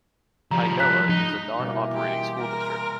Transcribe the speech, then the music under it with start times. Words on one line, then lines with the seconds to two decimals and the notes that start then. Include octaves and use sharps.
Hi-Nella is a non-operating school district.
0.51 F3 G3 A#5
0.80 F#6 B6
1.09 D#4
1.59 B2 E3 G3 A#3 A#4
1.94 G#3 G4
2.38 A#4